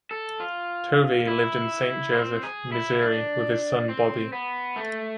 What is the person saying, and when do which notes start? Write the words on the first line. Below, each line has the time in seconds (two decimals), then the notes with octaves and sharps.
Tovey lived in Saint Joseph, Missouri, with his son Bobby.
0.11 A4
0.40 F4
1.27 E4
2.14 C4
2.43 G#4
2.72 E4
3.02 D4
3.89 C4
4.33 B3
4.76 A3